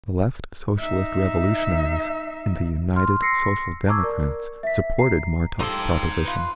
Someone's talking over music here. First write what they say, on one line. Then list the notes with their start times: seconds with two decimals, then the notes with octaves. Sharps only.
The Left Socialist Revolutionaries and the United Social Democrats supported Martov's proposition.
0.79 D#4 E5
2.96 C6 F6
3.21 C6 E6 A#6 C7 C#7
3.87 A5 A#5 C#6 D6 E6 G#6
4.03 A#4 D5
4.63 E5 B6
4.99 A#5 C7
5.60 F3 D#4 G4 A4 C6
6.25 F4 B4